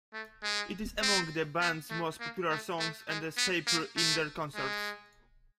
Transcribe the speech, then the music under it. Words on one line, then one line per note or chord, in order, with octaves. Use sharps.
It is among the band's most popular songs and a staple in their concerts.
A3
G#3
C4
B3
A3
A#3
A3
A3
G#3
B3
A#3
A3
G#3